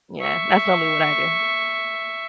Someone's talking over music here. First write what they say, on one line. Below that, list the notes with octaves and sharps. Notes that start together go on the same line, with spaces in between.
Yeah. That's normally what I do.
E5 C#6